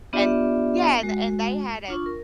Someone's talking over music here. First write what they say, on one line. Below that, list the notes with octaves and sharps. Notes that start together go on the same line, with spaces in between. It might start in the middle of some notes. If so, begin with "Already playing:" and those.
and yeah, and and they had a
B3 D4 F4 G4 D5 E5
G#3 F#4
D4 F4 C#6
A#4